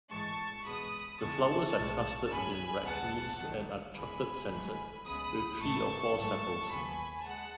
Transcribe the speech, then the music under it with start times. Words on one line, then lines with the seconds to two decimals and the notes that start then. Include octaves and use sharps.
The flowers are clustered in racemes and are chocolate-scented, with three or four sepals.
0.10 A1 G#2 E3 G#3 A5 C#6
0.65 E2 B2 G#3 B3 B5 D#6
1.20 E2 C#3 G#3 B3 A5 C#6
1.76 B1 A2 G#3
2.31 G#1 F#2 C#3 G#5 B5
2.85 D#2 C#3 G#3 B3 F#5 A5
3.41 F#2 D#3 A3
3.96 E2 C#3 E3 G#3 G#5 B5
4.51 G#1 G#2 D#3 F#3 A3
5.05 C#2 C#3 G#3 B3 B5 D#6
5.61 A1 G#2 D#3 A3 A5 C#6
6.16 G#2 F#3 A3
6.70 D#2 C#3 F#3 B3 G#5 B5
7.25 G#3 F#5 A5